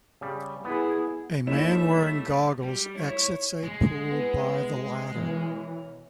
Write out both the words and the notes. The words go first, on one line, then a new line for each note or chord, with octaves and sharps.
A man wearing goggles exits a pool by the ladder.
C#3 G3
B3 E4 G#4 B4
G3 A3 A#3 D#4 E4 C#5 E5 E7
G3
E4 C#5
G#3
B3 E4
D3
B2 E3 A#4 C#5